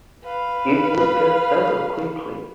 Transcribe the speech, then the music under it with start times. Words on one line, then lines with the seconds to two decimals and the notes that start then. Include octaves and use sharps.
It will get better quickly.
0.24 B4 F5